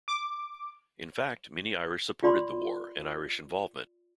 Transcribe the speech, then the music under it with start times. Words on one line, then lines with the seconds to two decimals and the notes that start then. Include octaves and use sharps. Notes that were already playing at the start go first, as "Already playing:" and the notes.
In fact, many Irish supported the war and Irish involvement.
0.08 D6
2.23 F4 G4 D5 B5 C6